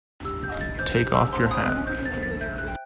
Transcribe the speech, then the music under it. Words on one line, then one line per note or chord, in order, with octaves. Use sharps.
Take off your hat.
G4 E6
G6
D#5
A6
C5 G6
G6
G4
E6
C5 C6
D#6
D#5
F#6
C5 G6
A6
C5
A6
E5 G6
F#6
G5